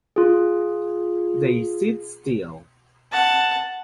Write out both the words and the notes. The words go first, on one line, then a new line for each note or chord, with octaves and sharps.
They sit still.
F4 G#4
F#5 A5